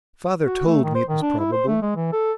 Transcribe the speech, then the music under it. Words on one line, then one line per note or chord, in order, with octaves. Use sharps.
'Father told me it was probable.'
F#4
A3
D#3
C5
D#3
D4
E4
C5
A3
G#3
E3
A4